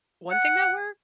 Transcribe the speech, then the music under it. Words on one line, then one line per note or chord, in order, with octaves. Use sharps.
One thing that worked
F#5